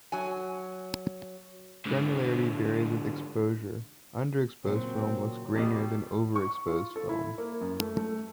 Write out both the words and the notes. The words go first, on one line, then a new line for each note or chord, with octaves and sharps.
Granularity varies with exposure - underexposed film looks grainier than overexposed film.
F#3 G#5
G#2 D3
A#2 C#3 F#3 C4
E2 B2 G4
C#6
F4
A4
E4
A#3
F#2
A3
A3